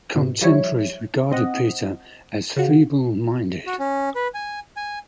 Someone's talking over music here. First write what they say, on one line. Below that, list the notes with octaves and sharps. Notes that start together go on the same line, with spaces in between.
Contemporaries regarded Peter as feeble-minded.
G#2 B2
F3 G3 E4 C#5
C4 D#5 F#5
C#3 F4 F#4
F#4
C#4
B4
G#5
G#5